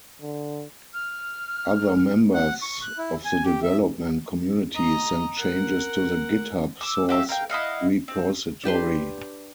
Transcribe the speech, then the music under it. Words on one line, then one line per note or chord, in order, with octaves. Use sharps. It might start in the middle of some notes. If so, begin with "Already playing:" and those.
Other members of the development community send changes to the GitHub source repository.
D3
F6
F#5
C#6
F#6
E4
G#5
G4
E5
D#5 A#5
A#4 F#5
D6 E6
F#4 G4 E5 F5
A#4 F5 G5
E4 D#5 F5 F#5
C4
D4 G4 B4 C6